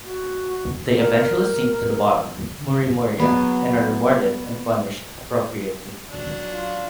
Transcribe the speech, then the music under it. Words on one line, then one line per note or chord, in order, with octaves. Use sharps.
They eventually sink to the bottom, Murimuria, and are rewarded and punished appropriately.
F#4
A#4
F#3 B3 G#4
F#3 D4
F4